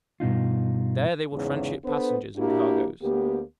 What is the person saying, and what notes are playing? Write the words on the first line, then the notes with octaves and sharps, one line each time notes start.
There they will tranship passengers and cargoes.
G2 B2 D#4 F4
E2 G#2 C#3
B3 D4 A4 B4 C5
A#3 D4 E4 F#4 G4
D2 A#3 B3 G4